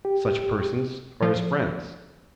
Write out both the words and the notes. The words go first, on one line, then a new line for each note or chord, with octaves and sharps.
Such persons are his friends.
G4
F3